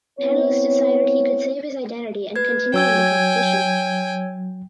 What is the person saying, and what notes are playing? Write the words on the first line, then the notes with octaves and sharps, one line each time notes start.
Panelists decided he could save his identity and continue in the competition.
B3 C4 E4 C#5
B4 G#6
F#3 C#5 G5 G#5 E6 G#6